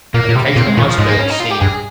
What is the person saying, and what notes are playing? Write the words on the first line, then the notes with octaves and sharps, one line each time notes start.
An occasional iceberg is seen.
A#2 A#3
A#2
C3 G3
A#3
A#2 C4
G#3
A#2 D#3
F3
G#2 G#3
A#3
C#4
D#4
F4
G4
G2 G#4